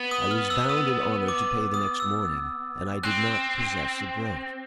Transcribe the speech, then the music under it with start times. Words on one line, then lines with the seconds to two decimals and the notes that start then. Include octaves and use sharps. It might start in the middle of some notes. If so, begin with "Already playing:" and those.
I was bound in honour to pay the next morning, and I did not possess a groat.
Already playing: B3
0.11 D#6
0.31 F6
0.50 E6
0.69 D#6
1.28 D6
1.74 D#6
2.00 E6
3.03 C4 F#6